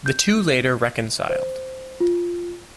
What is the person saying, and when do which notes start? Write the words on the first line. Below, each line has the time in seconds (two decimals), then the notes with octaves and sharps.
The two later reconciled.
0.06 G6
1.29 C5
2.00 F4